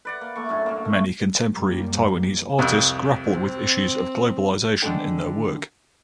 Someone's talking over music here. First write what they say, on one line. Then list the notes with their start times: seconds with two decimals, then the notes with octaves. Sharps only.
Many contemporary Taiwanese artists grapple with issues of globalization in their work.
0.05 B4 D5 F#5
0.21 A#3
0.36 A3 A#3 C#6
0.49 F#2 A2 D3 G#5
0.66 A#3 C#4
0.85 A3
1.54 F#2 G3 A#3
2.59 C2 F2
3.26 C4
4.82 D3 D#3 G#3 A4 F#5 G5